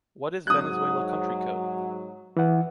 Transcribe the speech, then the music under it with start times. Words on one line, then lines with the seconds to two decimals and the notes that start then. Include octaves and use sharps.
What is Venezuela country code?
0.47 G#2 F#3 D#6 F#6
2.37 E3 F#5